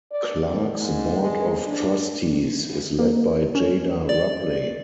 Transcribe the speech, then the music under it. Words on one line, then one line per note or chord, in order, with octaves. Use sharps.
Clark's Board of Trustees is led by Jada Rupley.
D5
D#3
G#2
G#3
D4
A#3
C#4
D5